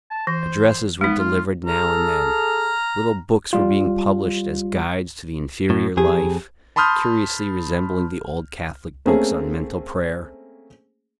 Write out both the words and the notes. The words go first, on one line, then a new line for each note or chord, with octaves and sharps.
Addresses were delivered now and then; little books were being published as guides to the interior life, curiously resembling the old Catholic books on mental prayer.
A5
E3 C5
G#3 B3 D#4
F4
G#4 A4 A#5 F6
G3 F4
A2
F2 G4 G#4
A5 B5 C6 D#6 F6 G6
A3 A#3 C4 C#4 G#4